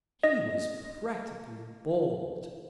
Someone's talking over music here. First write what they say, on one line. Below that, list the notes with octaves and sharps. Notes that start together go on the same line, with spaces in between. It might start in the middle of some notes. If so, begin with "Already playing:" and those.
He was practically bald.
D#5 A#6